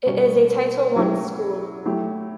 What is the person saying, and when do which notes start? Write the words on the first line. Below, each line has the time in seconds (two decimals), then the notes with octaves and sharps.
It is a Title One school.
0.06 B2 G3 C#4 F#4
0.96 F#3 C#4 E4 G4
1.85 F#3 A3 E4 G4